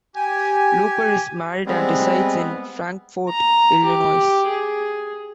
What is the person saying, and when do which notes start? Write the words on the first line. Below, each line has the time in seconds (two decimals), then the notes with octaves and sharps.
Looper is married and resides in Frankfort, Illinois.
0.15 G4 G#5
1.66 G3 G#3 B3 C4
3.29 A#5
3.84 G4
4.47 G#4